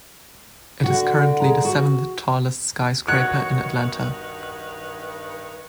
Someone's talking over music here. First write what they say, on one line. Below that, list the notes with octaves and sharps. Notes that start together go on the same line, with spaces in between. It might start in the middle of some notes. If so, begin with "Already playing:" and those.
It is currently the seventh-tallest skyscraper in Atlanta.
D3 F#4 F#5
G#4 A#5
F#4
G2 D#3 F#4 B4 C#5 F#6